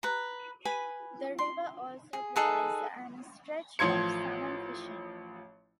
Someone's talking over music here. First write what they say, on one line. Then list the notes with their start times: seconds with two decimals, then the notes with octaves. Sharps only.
The river also provides an stretch of salmon fishing.
0.03 B4 A#5
0.65 B4 G#5 B5
1.38 C6
2.13 G#4
2.36 D#4 G#4 A4 B4
3.79 A1 F3 C6 G#6 C#7